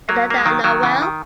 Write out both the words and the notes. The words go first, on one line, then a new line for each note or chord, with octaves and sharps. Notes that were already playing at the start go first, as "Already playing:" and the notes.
And that I know well!
F#3 A#3
A#3
G#3
D#3 F#3
D#3 F#3
C#3 E3
D#3